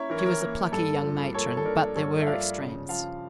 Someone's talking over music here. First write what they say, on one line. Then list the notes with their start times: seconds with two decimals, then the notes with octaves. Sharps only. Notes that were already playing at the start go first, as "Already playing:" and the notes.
She was a plucky young matron, but there were extremes.
Already playing: A#3 C#4 E4 C#5 E5 A#5
0.10 E3 A#4
0.18 C#5
0.26 A#4
0.41 A#3 A#4
0.72 G2 A4
1.03 F3
1.34 A#3 A4 C#5
1.57 A4
1.65 D4 A#4
1.96 G2 A4 C#5
2.22 E5
2.27 F3 D5 F5
2.59 C#3
2.89 F3 F5 A5